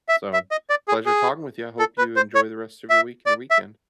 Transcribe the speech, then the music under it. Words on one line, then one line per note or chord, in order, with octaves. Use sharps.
So, pleasure talking with you; I hope you enjoy the rest of your week and your weekend.
E5
E5
D#5
D5
G#4
G#4
A4
B4
C5
C#5
E5
D5
E5